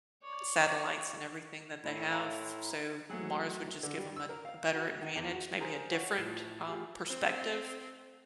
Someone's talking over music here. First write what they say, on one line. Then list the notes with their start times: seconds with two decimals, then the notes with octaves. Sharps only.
satellites and everything that they have. So Mars would just give 'em a a better advantage, maybe a different, um, perspective
0.23 C#5 D5
1.83 A2 A3 E4
2.11 F5 A#5 C6
3.10 G#2 F#3 A3 G#4 F#5
3.61 D#2 E3
3.83 D3
3.98 G3
4.16 E6
4.29 A#4
4.45 F5
4.74 F#4
5.01 D#3
5.16 E2
5.33 F#4
5.60 G4 G#4 A#4 C5 A#5
5.92 C#5 F5 F#5
6.18 A2 F3 G#6 A6 C7 E7
6.68 A3 F4 G4 G#4
7.06 C4